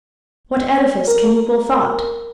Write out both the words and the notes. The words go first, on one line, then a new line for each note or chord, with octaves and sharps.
What edifice can equal thought?
A#4